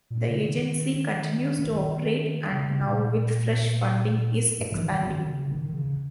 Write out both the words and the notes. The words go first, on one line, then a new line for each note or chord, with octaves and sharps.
The agency continues to operate, and now with fresh funding, is expanding.
A#2
C#3
D#3
D#3
C#3
A#2
G#2
F3
D#3
D#3
C#3
D#3
D#3
C#3